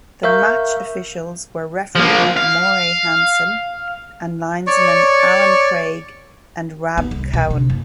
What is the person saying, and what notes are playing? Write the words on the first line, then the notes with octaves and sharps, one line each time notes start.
The match officials were referee Moray Hanson and linesmen Alan Craig and Rab Cowan.
A#4 E5 F5 C#6 G6
F3 A#3
F5
C#5 D5 C#6
B3
C2
B2
C3
F#1